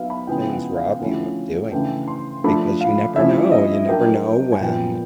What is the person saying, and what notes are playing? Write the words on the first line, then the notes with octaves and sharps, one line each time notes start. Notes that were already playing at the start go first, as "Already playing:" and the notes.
things rob you of doing that. Because you never know you never know when
Already playing: F#3 B3 D#4 E5 F5
B5
C#3 F3 G#3 B3 E4 G5
F#5
F5
D3 F3 A3 C#4 E4 F#5
C#3 E3 A3 D4 G5
C6
F3 A3 D4 B5
F5
F3 A3 C#4 E4 E5
D#5
F#3 A#3 D4 G5
G#5
A#2 F3 G#3 B3 G5